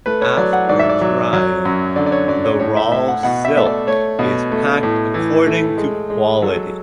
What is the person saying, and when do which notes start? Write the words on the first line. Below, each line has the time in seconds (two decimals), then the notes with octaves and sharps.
After drying, the raw silk is packed according to quality.
0.06 A3 B4
0.22 C#5
0.37 F#3 D5
0.53 F#5
0.69 G#2 D5
0.79 E5
0.89 D5
1.01 F#3
1.33 F#3
1.65 F#2
1.96 D3 D5
2.06 D5
2.12 C#5
2.28 F#2 D5
2.45 C#5
2.60 A2 C#5
2.77 E5
2.92 A2 E5
3.08 F#5
3.23 B2 F#5
3.45 E5
3.56 A3 E5
3.66 D5
3.87 A3 C#5
4.19 B2
4.52 A3
4.83 A2
5.14 E3
5.46 A3
5.78 G#3
6.10 G#3
6.42 F#3 A4